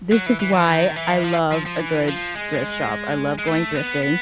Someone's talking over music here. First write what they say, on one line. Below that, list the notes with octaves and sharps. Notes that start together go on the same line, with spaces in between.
this is why I love a good thrift shop, I love going thrifting,
F#3
E3
E3
E3
D#3
E3
F3
F3
F3
E3
F3
G#3
G#3
A3
B3
B3